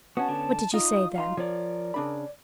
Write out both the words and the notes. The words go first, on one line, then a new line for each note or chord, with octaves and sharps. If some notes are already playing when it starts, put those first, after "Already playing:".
"What did you say, then?"
B3 C#4 F#4 A5
D3
D#4 F4 D#6
D#4 F5 A#5 C6
F3 A#4 C#5 D5
C#3 D4 B5